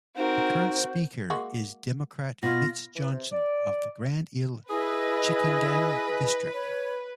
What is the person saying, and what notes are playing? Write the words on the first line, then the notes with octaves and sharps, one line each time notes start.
The current Speaker is Democrat Mitzi Johnson of the Grand Isle-Chittenden District.
C4 D#4 F#4 A#4 C5
G#3 A#3 F#4
B2 F4 A#6
E3
C3
D5
E4 G#4 B4 D#5 G#5
C#5